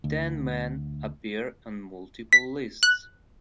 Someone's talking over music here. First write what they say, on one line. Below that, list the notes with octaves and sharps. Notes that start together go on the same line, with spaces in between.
Ten men appear on multiple lists.
D2
B6
F#6